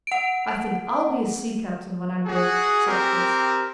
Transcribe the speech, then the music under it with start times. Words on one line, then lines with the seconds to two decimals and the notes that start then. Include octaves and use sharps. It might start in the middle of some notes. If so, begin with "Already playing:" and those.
"I think I'll be a sea captain when I'm big," said Kit.
0.07 F#5 D7
2.25 F#4 G#4
2.86 C4 G4 A#4